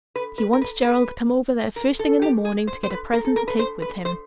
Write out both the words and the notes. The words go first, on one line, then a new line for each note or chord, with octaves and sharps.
He wants Gerald to come over there first thing in the morning to get a present to take with him.
B4
B4
A#4
B4
B4
A#4
A4
G4
G#4
C5
C5
B4
A#4
A4
A#4
B4
C5
B4
C5